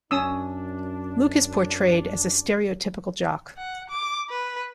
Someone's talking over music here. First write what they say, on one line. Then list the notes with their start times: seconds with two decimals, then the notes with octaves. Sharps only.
Luke is portrayed as a stereotypical jock.
0.11 F#2 C#4 D4 D#6 E6
3.57 F#5
3.89 D6
4.30 B4